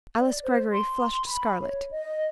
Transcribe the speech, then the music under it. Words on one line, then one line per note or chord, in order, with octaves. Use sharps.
Alice Greggory flushed scarlet.
D5
C5
C6
B5
C#5
D#5